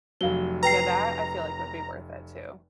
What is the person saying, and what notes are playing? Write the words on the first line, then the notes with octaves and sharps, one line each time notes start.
Yeah, that, I feel like would be worth it, too.
F1 F#3 F5 G7
B4 G5 A#5 C7